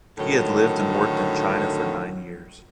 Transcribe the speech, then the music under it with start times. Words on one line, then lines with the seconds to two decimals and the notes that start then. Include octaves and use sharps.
He had lived and worked in China for nine years.
0.18 A2 D3 D#3 F#3